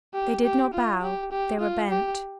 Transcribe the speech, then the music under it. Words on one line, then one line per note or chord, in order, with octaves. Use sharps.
They did not bow, they were bent.
G4
G4
F4
G4
G4
F4
G4